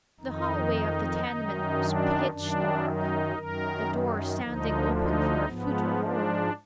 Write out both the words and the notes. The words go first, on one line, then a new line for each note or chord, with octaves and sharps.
The hallway of the tenement was pitch-dark, the door standing open for a foot or more.
F2 D#3 D#4
F#2 D#3
D4
F#2 D#3 D4
D#4
F#2 D#3 A#4
D2 D3 F3 D#4
D#4
G#2 F3 B3
D4